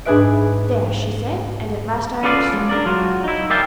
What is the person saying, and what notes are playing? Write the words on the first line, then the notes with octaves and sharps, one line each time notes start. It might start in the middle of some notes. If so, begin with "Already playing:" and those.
"There!" she said--and at last I understood.
G#2 D4 G#4 B4 E5 D7
C#4 F4 A4 B4 D5 F5
G#3
D4 A#4 D5
F#3 F4 F#4
D#4 E4
A#4 D5 E5 F5 G5 A5